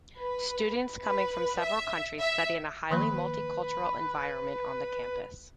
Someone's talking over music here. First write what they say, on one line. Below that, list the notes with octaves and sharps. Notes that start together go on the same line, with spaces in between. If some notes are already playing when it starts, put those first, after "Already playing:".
Students coming from several countries study in a highly multi-cultural environment on the campus.
B4
B4
E5
E5
D#3 F3 A#3 B4